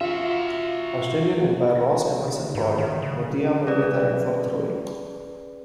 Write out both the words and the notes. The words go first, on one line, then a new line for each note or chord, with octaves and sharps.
Australian Umpire Ross Emerson called Muttiah Muralitharan for throwing.
F4 F#4 E5
G#2
D#3
C#3
C#4 G#4 B4 D5